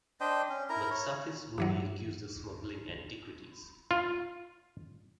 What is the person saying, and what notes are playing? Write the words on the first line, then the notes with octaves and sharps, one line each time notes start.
Matsakis will be accused of smuggling antiquities.
D4 C5 D#5 G5
C#4
E4 A#4 A#5
C#5
G2 E3 F#3
F4